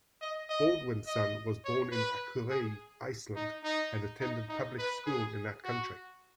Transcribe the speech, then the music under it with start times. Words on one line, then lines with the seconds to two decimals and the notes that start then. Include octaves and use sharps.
Baldwinson was born in Akureyri, Iceland, and attended public school in that country.
0.21 D#5
0.49 D#5
1.07 D#5
1.65 C#5
1.92 B4
2.50 G#4
3.36 D#4
3.64 D#4
4.21 D#4
4.49 D#4
4.79 B4
5.06 G#4
5.64 F#4